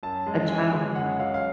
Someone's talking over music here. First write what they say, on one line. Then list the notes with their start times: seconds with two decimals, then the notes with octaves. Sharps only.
a child involved.
0.03 F#2 A5
0.27 G#3
0.49 F3 G#5
0.73 G#3
0.95 F#2 F#5
1.19 F#3 F5
1.34 F5